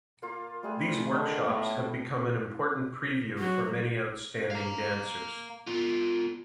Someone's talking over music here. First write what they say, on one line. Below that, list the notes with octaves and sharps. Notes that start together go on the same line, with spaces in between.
These workshops have become an important preview for many outstanding dancers.
A#3 F4 A#4
G3 A3 G#4 B4
D3 D#3 A5
A2 A#3 B3
F#3 F#4
F5 A#5
B3 F4